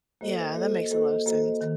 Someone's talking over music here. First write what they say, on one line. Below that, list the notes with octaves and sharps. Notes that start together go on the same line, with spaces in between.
Yeah, that makes a lot of sense.
A#3 F#4 A4 C5 D#5
A#3 F#4 A4 C5 D#5
A#3 F#4 A4 C5 D#5
A#3 F#4 A4 C5 D#5
D#3